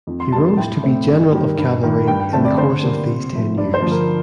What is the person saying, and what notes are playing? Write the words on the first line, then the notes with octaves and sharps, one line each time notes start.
He rose to be general of cavalry in the course of these ten years.
F2
C6
C3 G3 A#3 A5
A2 G5
A3 C4
G2
D#3 G3
G2
D#3 A3
G2 G5
G5
D3 A3 C4 A5
D5
D3 C5
G3 A#3 D4
C3
F3 A3
G2 D5
C5
D3 F3
A#4